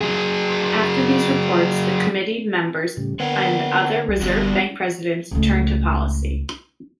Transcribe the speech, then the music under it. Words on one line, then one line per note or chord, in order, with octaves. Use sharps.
After these reports, the Committee members and other Reserve Bank presidents turn to policy.
F#3 G#4
A2 C#3 G3
D3 A#3 B3 C#5 F#5 G5
B1 G3
G1 B3 D4 F#4
C#2 A3